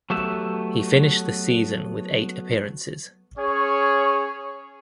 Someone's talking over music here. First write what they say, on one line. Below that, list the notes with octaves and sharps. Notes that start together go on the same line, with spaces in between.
He finished the season with eight appearances.
F#3 A3 B3 G4 E5
C#4 G#4 C#5